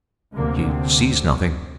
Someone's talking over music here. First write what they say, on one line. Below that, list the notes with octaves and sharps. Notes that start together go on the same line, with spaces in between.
She sees nothing.
D2 C3 A#3
C4